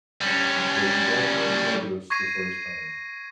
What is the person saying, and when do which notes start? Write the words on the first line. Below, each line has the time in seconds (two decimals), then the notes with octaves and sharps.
but you don't really notice the first time.
0.21 G3 C#4
2.10 C#6 G#6 A#6 C7 D#7